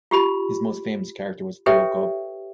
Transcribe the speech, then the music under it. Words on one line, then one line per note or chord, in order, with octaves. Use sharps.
His most famous character was Philo Gubb.
F4 G4 B5
G4 A4 B4 C#5 E5 G5